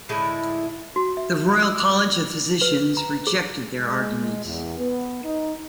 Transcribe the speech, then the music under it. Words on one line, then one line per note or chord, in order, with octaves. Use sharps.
The Royal College of Physicians rejected their argument.
A2 D3 G#3 E4
F#4
E5
E6
D6
D6
B4
A#5
G#4
G#3
E2
B3
D#4